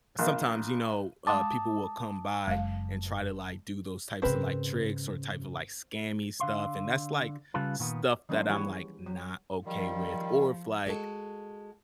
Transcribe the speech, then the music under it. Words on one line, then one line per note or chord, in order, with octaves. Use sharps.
sometimes, you know, uh, people will come by and try to, like, do those types of, like, tricks or type of, like, scammy stuff and that's, like, stuff that I'm, like, not okay with. Or if, like
A#1
G#3 F#5 A5 C6 D6 D#6
F#1 G#3 F5
G#2 C#3 C4 A#4 B4
D3 F5 C6
C#3 G3 F4 A4 B4
A#2 D#3 B3
D#3 F#3 A#3 C#4 D4 C5
E3 G3 E4 F#4 G#4 C#5
F#3
D#3 F3 G3
G#3 F#4 A4